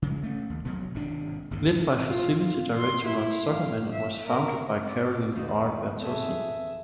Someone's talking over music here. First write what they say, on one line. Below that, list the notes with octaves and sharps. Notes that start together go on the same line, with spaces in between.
Led by Facility Director Ron Zuckermann and was founded by Carolyn R. Bertozzi.
C#3 G#3
A3 C#4
D#2
E1 B2 F#3 B3
G#1 C3 D4
G1 D#2 C3
F4
F4
C6
E4
F5
E5
A#4
C4 D5
E2 D#3 F3 D#4 B4
C4 G#4 A4 B4 E5